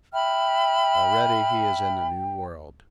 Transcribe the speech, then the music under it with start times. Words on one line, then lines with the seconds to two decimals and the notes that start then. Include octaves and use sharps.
Already he is in a new world.
0.13 E5 G5 B5 F6